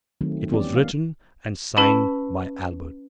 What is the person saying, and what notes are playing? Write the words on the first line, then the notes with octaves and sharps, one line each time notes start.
It was written and signed by Albert.
D#3 F#3 A3 C4
E3 G3 B3 C#4 G4 D5
A#3 D4 F5
C#4 E4 B4 A5 B5